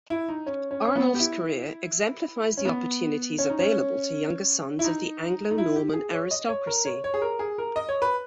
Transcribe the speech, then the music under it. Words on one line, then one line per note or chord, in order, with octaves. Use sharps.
Arnulf's career exemplifies the opportunities available to younger sons of the Anglo-Norman aristocracy.
E4
D#4
C#4
C#4
C#4
B3
G4
E4
C#4
B3
C#4
D#4
C#4
E4
D#4
D#4
E4
G4
G#4
C#5
D#5
C#5
A#4
C#5
C#5
G#4
A#4
G#4
A#4
D#5
C#5
B4